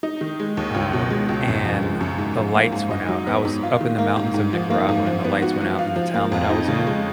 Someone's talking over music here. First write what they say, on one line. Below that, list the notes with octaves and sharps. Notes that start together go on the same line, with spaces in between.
um, and the lights went out. I was up in the mountains of Nicaragua, and the lights went out in the town that I was in,
D#4
D#3
G#3
D#2
C#2
B2
G#3
C#2
F#2
F3
G#3
F#2
G#2
F3
A#3
G#2
D#4
F#3
B3
G#2
F4
D#3
A#3
G#2
G#2
F3
A#3
G#2
F3
B3
F#4
F3
F4
F3
A#3
F2
D#4
C#3
G#3